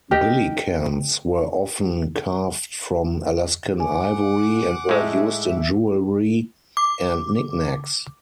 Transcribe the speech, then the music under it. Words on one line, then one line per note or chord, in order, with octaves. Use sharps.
Billikens were often carved from Alaskan ivory and were used in jewelry and knick-knacks.
G4 A#4 D#5
F#5 G#5 D6
A2 G#3 E5
D6